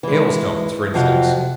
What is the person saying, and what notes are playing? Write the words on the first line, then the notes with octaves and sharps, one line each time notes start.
Hailstones, for instance.
E3 G#3
F2 C3 F3 F#3